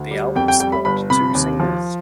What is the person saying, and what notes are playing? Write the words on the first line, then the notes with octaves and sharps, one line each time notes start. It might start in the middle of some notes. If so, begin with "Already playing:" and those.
The album spawned two singles.
Already playing: D2
G3
F2 G5
G5
G3 G5
B5
G1 B5
C3 B5
D#2
F3